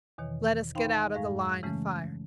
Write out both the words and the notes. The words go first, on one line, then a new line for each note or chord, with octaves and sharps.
"Let us get out of the line of fire."
E2 B2 D#3 E3 C#5
D#4 C5 F5 G5 B5 C6
F#2 A2 G#3 G#4 F5 A#6
C#3 E3 G#3 A3 C#4